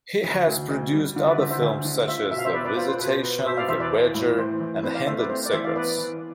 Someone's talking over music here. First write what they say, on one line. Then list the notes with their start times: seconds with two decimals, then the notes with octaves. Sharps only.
He has produced other films such as "The Visitation", "The Wager", and "Hidden Secrets".
0.23 D2
0.47 D2
0.70 D2
0.93 G3
1.16 D3 F4
1.27 B4 D5
1.38 D3 C5 E5
1.50 C5 E5
1.62 D2
1.85 D3
2.08 F4 C5 E5
2.31 B2 E5
2.38 F5
2.45 C5 E5
2.53 B3 B4 D5
2.65 B4 D5
2.77 F4 C5
2.88 C5
2.99 B2 B4
3.10 C5
3.23 B3
3.45 B2 C5 E5
3.57 D5 F5
3.68 E2 C5 E5
3.80 B4 D5
3.92 E3
4.15 A2
4.38 E3 C5
4.60 E3
4.83 C4 B4
4.95 D5 F5
5.06 A3 C5 E5
5.18 B4 D5
5.30 C4 C5
5.46 D5
5.52 E3 C5 E5
5.64 D5 F5
5.76 B3 B4 D5
5.98 E3